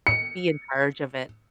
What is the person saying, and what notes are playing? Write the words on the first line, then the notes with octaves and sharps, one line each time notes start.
be in charge of it.
C#7